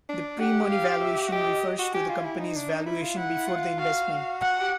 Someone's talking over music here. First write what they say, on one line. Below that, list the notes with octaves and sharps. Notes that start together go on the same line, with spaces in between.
The pre-money valuation refers to the company's valuation before the investment.
D4
G4 F#5
F5
E5
F#4
G4 D#5
F#4
G4 G#5
F4
E4
D#4
D4
D#4
E4
F4
E4 F#5
F4
F#4 F5
F#5
G4